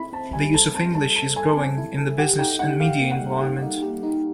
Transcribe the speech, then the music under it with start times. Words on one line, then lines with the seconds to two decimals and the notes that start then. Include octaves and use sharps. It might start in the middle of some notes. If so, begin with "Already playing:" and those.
The use of English is growing in the business and media environment.
Already playing: C4 E4 B5
0.13 C4 A5
0.33 G3 G#5
0.54 A4 A5
0.75 C4 A5
0.95 G3 A5
1.16 A4 A5
1.36 A4 G#5
1.57 C4 G#5
1.78 E4
1.98 A4
2.18 G4 F#5
2.39 D#4 G5
2.59 D#4 F#5
2.80 G4 F5
3.00 A#3
3.11 F#5
3.21 G3
3.41 G4
3.62 D#4
3.82 G4
4.03 D#4